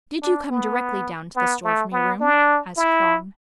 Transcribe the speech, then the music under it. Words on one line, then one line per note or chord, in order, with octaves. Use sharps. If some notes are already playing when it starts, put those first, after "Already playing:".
"Did you come directly down to the store from your room?" asked Thong.
D4
B3
B3
A3
B3
D4
E4